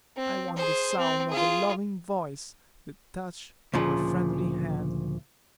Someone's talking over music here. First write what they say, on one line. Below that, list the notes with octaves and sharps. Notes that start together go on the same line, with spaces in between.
"I want the sound of a loving voice; the touch of a friendly hand."
C4
G#4 C5
C4
F4 G#4
D2 A#2 C#3 F3